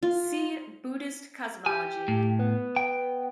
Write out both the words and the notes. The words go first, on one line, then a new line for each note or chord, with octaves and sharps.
See "Buddhist cosmology".
F4
G4 G#5
A2
B3
G5